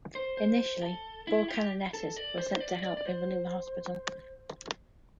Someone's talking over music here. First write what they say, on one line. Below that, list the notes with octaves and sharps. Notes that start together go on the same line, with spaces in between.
Initially four canonesses were sent to help in running the hospital.
C5
C5
G4
A4
E4
G4
A4
D5
C5
C5
D5
D5
D5
C5